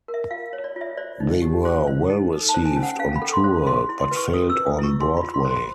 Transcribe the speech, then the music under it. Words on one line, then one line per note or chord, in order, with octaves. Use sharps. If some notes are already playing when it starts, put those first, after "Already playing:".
They were well received on tour but failed on Broadway.
A#4
E5
F4 F5
C#5
D5
F4
E5
C5 D5
D#4
G4
C5
C5
D#4
A4
A5
C5
G#5
C#4
F#5
C#4 F5
B5
A4
C6
C5
G#4 C6
E4
C6
B4
C#6
G#4 D#6
E6
B4
D#6
E4 C#6
G#4 C6
B5
F4
C6
C5
C6